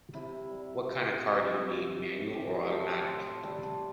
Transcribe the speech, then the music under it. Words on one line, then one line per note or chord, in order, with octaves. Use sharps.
What kind of car do you need, manual or automatic?
C3 E4
G3
G3 F4
C3
C3
F3
C3 G4
A3 A4
A2 C5
G3 A4